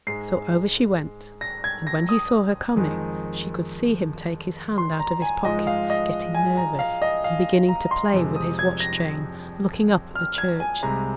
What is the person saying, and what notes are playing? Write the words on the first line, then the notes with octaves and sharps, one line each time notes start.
So over she went and when he saw her coming she could see him take his hand out of his pocket, getting nervous, and beginning to play with his watchchain, looking up at the church.
G#2 G#3 C7
A#6
G#6
A#6
D#6
F2 D#3 G#3
C6
A#5
G#5
G#2 F3 G#3 D#5
F5
D#5
G#5
A#5
F5
D#5
F5
A#5
C6
F2 C3 G#3
D#6
G#6
A#6
F6
G#6
G#5
C2 C3 G#3 A#5